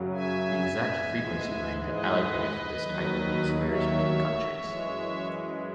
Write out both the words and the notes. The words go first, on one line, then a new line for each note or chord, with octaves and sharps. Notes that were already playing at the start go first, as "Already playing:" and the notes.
The exact frequency range allocated for this type of use varies between countries.
Already playing: F#2 C#3 F#3
E5 G#5
G#2 E3 G#3
B4 D#5
D#2 D#3 F#3
C#5 E5
F#2 E3 G#3